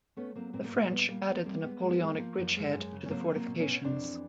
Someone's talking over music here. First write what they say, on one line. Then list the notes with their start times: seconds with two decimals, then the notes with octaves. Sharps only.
The French added the Napoleonic bridge head to the fortifications.
0.17 A3 B3 C#4
0.35 F#3 A#3 C4
0.53 A#2 A#3 C4
0.64 A#3
0.72 A#2 B3
0.90 G3 B3
1.09 G3 A#3
1.27 E2 B3
1.46 G3 A#3 C4
1.64 G#3 B3
1.82 G#3
1.89 B3
2.01 G#3
2.14 A#3
2.19 F3
2.37 F#2
2.56 G#3
2.75 F#2
2.93 C#3
3.06 C#4
3.11 F#3 A#3 C4
3.30 F#3
3.35 A#3 C4
3.48 B2
3.59 B3 C#4
3.66 B2
3.84 F2 C4 D4
4.03 E3